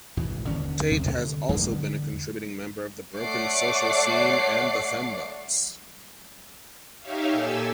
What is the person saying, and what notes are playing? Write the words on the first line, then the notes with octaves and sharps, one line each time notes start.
Tait has also been a contributing member of Broken Social Scene and The FemBots.
G#1 E2 B2
D#1 D3 C#4
D#2 C3
D3
E2 D3 G3 G#3
A3 C#5 D5 F#5 D6 C7
D#4 G4 C#5 E5 F5
A#2 G4 A4 G#5 E6